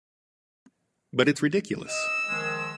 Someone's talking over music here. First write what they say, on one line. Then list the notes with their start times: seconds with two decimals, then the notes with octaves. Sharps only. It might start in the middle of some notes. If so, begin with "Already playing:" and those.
But it's ridiculous!
1.88 D#5 E6
2.28 D#3 F3 G#3